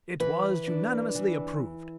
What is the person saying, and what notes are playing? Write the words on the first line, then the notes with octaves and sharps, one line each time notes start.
It was unanimously approved.
E3 B4
D4
E3